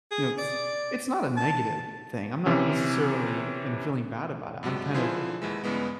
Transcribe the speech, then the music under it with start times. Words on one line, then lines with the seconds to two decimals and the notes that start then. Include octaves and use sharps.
you know, 'cause it's not a negative thing. I'm not necessarily, you know, feeling bad about it. I'm kind of
0.11 G#4
0.38 D5
1.37 A5
2.46 C3 E3 C#4
4.63 G2 C3 F#3 G#3
4.94 D3 F3 E4 F4 G#4 C5
5.42 D#2 E3 G#3
5.64 G2 C#3 E3 G#3 B3